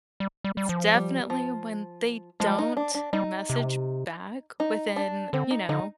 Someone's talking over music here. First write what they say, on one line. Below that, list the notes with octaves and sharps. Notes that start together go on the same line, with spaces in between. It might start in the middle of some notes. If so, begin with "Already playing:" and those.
It's definitely when they don't message back within, you know.
G3
G3
G3
F3
G3
F3
F3 G#3
D#4
D4
D4
G3 D#4
C3
D#4
D4
D3 C4
D#4
D3 D#4